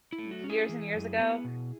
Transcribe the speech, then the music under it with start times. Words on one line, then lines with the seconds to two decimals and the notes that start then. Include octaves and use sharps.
Years and years ago,
0.13 E4
0.19 A3
0.31 F#4
0.44 C#4
0.49 E4 G#4
0.69 E3
0.94 F#2
1.19 B3
1.44 B2